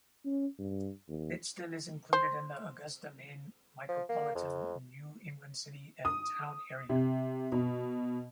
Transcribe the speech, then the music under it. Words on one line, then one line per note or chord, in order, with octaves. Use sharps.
Pittston is included in the Augusta, Maine micropolitan New England City and Town Area.
C#4
G2
D#2
C5
F3
A#3
F2
D#6
C3
B2